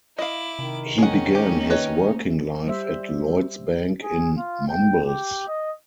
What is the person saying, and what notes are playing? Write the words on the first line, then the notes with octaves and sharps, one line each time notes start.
He began his working life at Lloyds Bank in Mumbles.
E4 D#5 F5 D6
C3 D#3
C#4 D#4 G#4 F#5
G#3 G4
A#3 B4 C#5 D#5
G3 C5 E5
G#4
F4
G5
G4
D#5